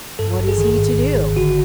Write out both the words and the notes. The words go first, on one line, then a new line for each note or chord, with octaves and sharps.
What is he to do?
G2 A4
G#1
G#4
D#3
G#2
G#1
G#1
D3 F#4